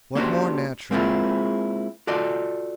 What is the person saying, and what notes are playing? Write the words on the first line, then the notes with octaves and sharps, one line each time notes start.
What more natural!
A#3 C#4 D4 F#4 G4 C5
G#3 A#3 C4 E4 F4 G#4
F4 F#4 A4 D5 D#5